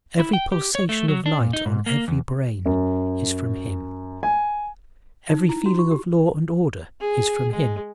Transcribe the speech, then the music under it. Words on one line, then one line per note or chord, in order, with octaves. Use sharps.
Every pulsation of light on every brain is from him. Every feeling of law and order is from him.
E4
G5
G4
C#5
A3
F#3
D4
A#2
D#4
G#2
A#3
E2
F#2
G#5
D#4
E4
F#4
C#6
G4
G#4
G#3